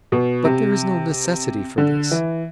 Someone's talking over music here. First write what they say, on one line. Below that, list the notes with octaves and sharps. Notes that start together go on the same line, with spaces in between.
But there is no necessity for this.
B2
C3
D3
E3